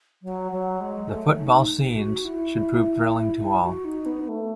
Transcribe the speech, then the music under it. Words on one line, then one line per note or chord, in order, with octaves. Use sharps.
The football scenes should prove thrilling to all.
F#3
F#3
G#3
A3
D#4
F#4
E4
F#4
D#4
B3
B3
A3